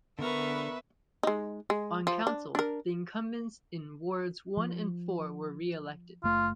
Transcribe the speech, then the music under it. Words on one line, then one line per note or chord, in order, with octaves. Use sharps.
On Council, the incumbents in wards one and four were re-elected.
D3 B3 A#4 B4 E5 C#6 F6
G#3 D#4
G#3
F3
D4
D4 A#4
F3
F#1 A3 F4